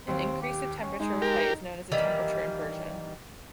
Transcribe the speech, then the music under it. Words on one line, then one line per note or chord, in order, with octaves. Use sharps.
An increase of temperature with height is known as a temperature inversion.
D#2 C4
G4
C#4
G#3 D#4
G4 A#4
D#3 E3 G3 A#3